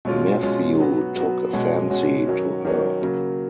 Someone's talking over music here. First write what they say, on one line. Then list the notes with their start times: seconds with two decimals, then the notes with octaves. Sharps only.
Matthew took a fancy to her.
0.05 B2 G#3 C#4 F4
0.43 B2 G#3 C#4 F4
0.79 F#3 B3 F#4
1.16 F#3 B3 F#4
1.53 B2 G#3 C#4 F#4
1.90 B2 G#3 C#4 F#4
2.27 D#3 F#3 C#4 F#4
2.65 D#3 F#3 C#4 F#4
3.01 C#3 F#3 A#3